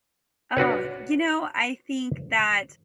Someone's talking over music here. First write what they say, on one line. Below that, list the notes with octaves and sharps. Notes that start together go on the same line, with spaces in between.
Oh, you know, I think that
D4 F#4 B4 C#5